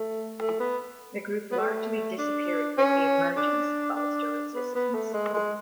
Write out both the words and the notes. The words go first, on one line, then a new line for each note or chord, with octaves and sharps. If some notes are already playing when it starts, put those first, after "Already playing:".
The group largely disappeared with the emergence of Ulster Resistance.
Already playing: A3
A3
B3
B3
A3
D4
C#4
D4
D4
B3
B3
A3
G#3
G#3